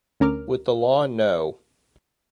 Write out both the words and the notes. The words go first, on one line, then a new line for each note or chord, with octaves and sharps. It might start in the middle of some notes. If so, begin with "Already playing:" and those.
With the law no.
D2 C#4 A#4 D6 F6